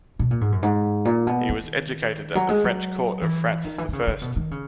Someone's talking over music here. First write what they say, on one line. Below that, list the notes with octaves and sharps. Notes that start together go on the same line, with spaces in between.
He was educated at the French court of Francis I.
B2
A#2
G#2
F#2
G#2
A#2
B2
D#3
F#3
G#3
F#3
E3
D#3
E3
D#3
C#3
C#3
B2
D#3
C#3